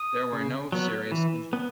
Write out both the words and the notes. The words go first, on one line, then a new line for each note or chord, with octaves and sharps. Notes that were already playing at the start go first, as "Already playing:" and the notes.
There were no serious injuries.
Already playing: D#6
C#3
F#3 B3
E3
B3